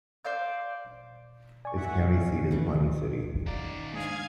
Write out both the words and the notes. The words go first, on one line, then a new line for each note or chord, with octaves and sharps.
Its county seat is Pawnee City.
C5 D5 F5 G6
D5 G#5 C#6
B2 E5 F#5
C#4
C#3 E3 A3
D#3 D5 F5 A#5
G#2 D3 G#4 F5 G#6